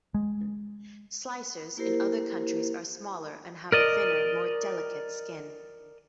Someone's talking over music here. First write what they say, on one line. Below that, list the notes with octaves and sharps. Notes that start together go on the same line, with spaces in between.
Slicers in other countries are smaller and have a thinner, more delicate skin.
G#3
A#3 E4 G4 A#4 C5
A#4 D5 D#5